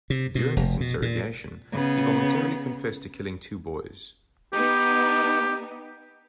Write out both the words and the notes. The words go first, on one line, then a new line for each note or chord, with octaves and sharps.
During his interrogation, he voluntarily confessed to killing two boys.
C3
B2
F1
B2
A#2
C#3 B3
B3 D#4 G4